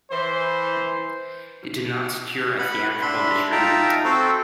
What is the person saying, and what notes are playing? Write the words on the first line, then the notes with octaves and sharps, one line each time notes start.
It did not secure a theatrical distributor.
E3 C5
B4 F#5 B5
D4 E5 B5 C6
D#4 F4 E5 G5 A5 A#5
C4 F#4 A4 C5